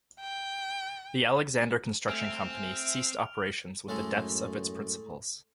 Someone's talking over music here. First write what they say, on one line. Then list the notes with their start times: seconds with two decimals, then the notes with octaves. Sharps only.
The Alexander Construction Company ceased operations with the deaths of its principals.
0.20 G5
2.09 A3 C4 E5 G#5 F6 D7 F7
3.88 F#2 A2 G#3 A3